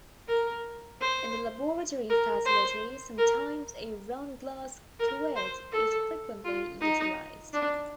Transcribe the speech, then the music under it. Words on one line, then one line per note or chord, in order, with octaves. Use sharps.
In the laboratory facility, sometimes a round glass cuvette is frequently utilized.
A#4
C5
A#4
C5
A#4
A#4
C5
A4
F4
D#4
D4